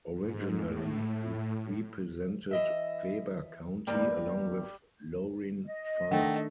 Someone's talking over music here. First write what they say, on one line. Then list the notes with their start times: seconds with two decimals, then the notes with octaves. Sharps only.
Originally, he represented Weber County along with Lorin Farr.
0.17 G#2
0.57 A2
2.51 E3 D#5 E5
3.87 E2 G2 G3 A#3
5.65 D#5
6.11 D#3 A3 D4 A#4 F#5 G5